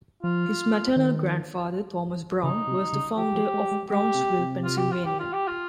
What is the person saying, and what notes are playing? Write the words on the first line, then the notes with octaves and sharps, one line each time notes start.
His maternal grandfather, Thomas Brown, was the founder of Brownsville, Pennsylvania.
F3 F4
D#3
C#3 D#4
C3
C#3
F3 G4
F3
G#3
G#3
G#3 G4
C3
C3
F4
G4
F4
G4
F4
G4
F4